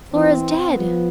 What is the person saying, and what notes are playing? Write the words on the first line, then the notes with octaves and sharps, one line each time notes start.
"Flora's dead!"
E3 C4
F3 B3